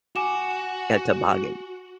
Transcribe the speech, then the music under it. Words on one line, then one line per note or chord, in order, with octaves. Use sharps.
A toboggan.
F#4 G#5 D6 E7